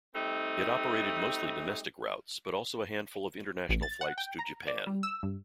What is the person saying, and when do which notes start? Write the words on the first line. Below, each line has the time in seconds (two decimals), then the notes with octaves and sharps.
It operated mostly domestic routes but also a handful of international flights to Japan.
0.15 G3 A3 C4 D#4
3.69 A1
3.82 A6
4.01 F#5
4.18 G5
4.39 A#5
4.67 D5
4.87 G3
5.03 E6
5.23 G2